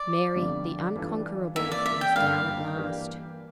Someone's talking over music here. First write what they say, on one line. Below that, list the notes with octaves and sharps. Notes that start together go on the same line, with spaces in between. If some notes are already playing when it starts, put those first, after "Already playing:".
Mary, the unconquerable, was down at last.
Already playing: D5
G1 F2 D3 G3
E3 G3 D4 F4 A4
E3 A#3 E4 A4 E5
D5
E5
G5
G2 D3 G3 A#3 F5
E3 A#3 D4 G4